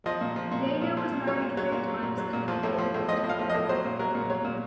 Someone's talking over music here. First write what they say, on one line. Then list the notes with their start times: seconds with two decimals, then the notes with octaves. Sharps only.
Leino was married three times and had one daughter, Helka.
0.06 F3 D#5
0.21 A#2
0.36 F3
0.52 A#2
0.66 F3
0.81 A#2
0.97 F3
1.12 A#2
1.27 F#3 C#5
1.42 A#2
1.57 F#3 C#5
1.72 A#2
1.88 F#3
2.03 A#2
2.18 F#3
2.33 A#2
2.48 F3
2.63 A2
2.78 F3
2.94 A2
3.09 F3 D#5
3.24 A2
3.29 F5
3.39 F3
3.50 A2 D#5
3.69 F#3 C5
3.85 A#2
3.99 F#3 A#4
4.15 A#2
4.30 F#3 C#5
4.44 A#2